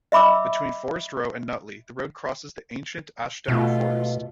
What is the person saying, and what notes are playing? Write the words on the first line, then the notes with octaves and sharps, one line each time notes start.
Between Forest Row and Nutley the road crosses the ancient Ashdown Forest.
D#5 E5 B5 D6 E6
B2 A3 F4